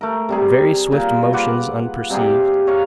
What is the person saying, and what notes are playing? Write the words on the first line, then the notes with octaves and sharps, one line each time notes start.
Very swift motions unperceived.
A3 A#4
C3 G3 G#4
A#2
F4 B4 F#5 D6
C3 G3 G4 G#4
C#5 F5 A#5